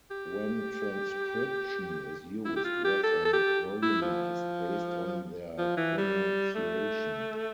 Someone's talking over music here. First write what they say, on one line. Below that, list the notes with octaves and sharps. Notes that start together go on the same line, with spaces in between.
When transcription is used, words are romanized based on their pronunciation.
G4
E4
G4
F4
G4
A4
A4
G4
E4
F3
F3
E3
G3
A3